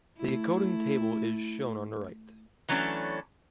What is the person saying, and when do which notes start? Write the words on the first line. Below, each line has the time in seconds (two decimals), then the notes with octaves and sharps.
The encoding table is shown on the right.
0.17 A3 E4
2.69 E3 F#3 A3 C#4 D4